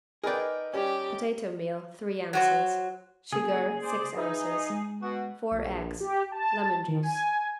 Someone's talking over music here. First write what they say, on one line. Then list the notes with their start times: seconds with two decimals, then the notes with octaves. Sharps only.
Potato meal, three ounces. Sugar, six ounces. Four eggs. Lemon juice.
0.24 D#4 G#4 A#4 B4 D5 G5
0.74 G3 C#4 G4
2.33 F#3 F#4 C5
3.33 C#3 A#3 G#4
3.82 C5 D5
4.17 D#4 B4 E5
4.70 G#3
5.02 B2 F#4
5.51 A#1
6.00 G4
6.32 A5
6.88 D#3
7.03 G#5